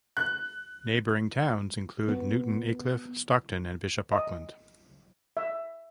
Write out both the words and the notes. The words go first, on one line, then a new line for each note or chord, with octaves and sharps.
Neighbouring towns include Newton Aycliffe, Stockton and Bishop Auckland.
F#6
B3
D#5
E5